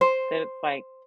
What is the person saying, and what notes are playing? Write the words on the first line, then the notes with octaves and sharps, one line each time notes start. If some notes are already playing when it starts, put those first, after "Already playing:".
that's, like,
C5